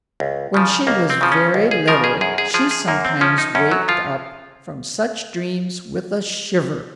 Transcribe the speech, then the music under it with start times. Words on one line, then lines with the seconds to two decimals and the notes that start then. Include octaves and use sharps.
When she was very little she sometimes waked up from such dreams with a shiver.
0.20 C#2
0.54 C#3 F3
0.87 C#2 A#3
1.10 C4
1.21 C#3 F3
1.32 C#4
1.54 C#2
1.71 G#4
1.88 C#3 F3 A#4
2.04 G#4
2.21 F#2 G#4
2.38 G#4
2.54 F3 G#4
2.71 G#4
2.88 F#2 A#3
3.05 C4
3.21 F3 C#4
3.38 D#4
3.55 F#2 C#4
3.72 F#3
3.88 F3 F4